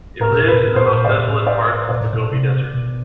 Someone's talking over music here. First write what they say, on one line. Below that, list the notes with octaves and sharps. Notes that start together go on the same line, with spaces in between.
It lives in the most desolate parts of the Gobi Desert.
A2 A#4
A#2
A2
B4
A#2
A2
A#2 C5
A2
A#2
A2 D5
A#2
A2
D5
A#2 D5
A2
A#2
C3
B2